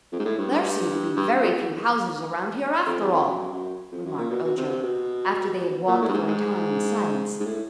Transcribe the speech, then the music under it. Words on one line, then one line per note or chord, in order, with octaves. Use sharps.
"There seem to be very few houses around here, after all," remarked Ojo, after they had walked for a time in silence.
F2
G#2
A2
G2
G2
G2
F2
E2
F2
E2
F2
F#2
F#2
F2
F#2
A#2
B2
B2
C3
C3
B2
A#2
A2
G2
G#2
G#2
G#2
A2